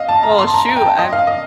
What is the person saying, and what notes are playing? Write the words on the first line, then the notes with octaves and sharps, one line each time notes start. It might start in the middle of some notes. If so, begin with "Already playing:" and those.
Well, shoot. I'm
Already playing: D#5 F5
A5
A#5
C6
A5
A#5
A#5
G5
A5
D#5
F5
D#5